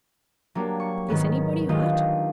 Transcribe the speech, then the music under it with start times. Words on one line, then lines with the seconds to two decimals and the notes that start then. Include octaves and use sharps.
"Is anybody hurt?"
0.55 F#3 A#3 D4 G4
0.80 C#6
1.08 G#2 D#3 F#3 B3 C#4
1.69 D#3 D4 D#4 F4 G4